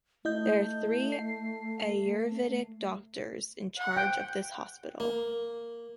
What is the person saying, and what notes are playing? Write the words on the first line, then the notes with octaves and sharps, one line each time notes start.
There are three Ayurvedic doctors in charge of this hospital.
A3 E4 D#5 G6
C7
F#5
G5
A#3